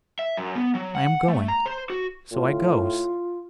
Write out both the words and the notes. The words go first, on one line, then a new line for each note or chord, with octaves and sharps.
I am going.' So I goes.
E5
F#2
B3
F#3
F#5
A3
A#5
C5
F#4
A2 F4